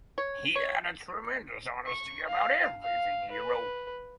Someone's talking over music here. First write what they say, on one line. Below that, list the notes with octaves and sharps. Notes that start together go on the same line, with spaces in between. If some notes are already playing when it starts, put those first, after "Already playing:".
He had a tremendous honesty about everything he wrote.
C#5
C#5
C#6
F5
F5
B4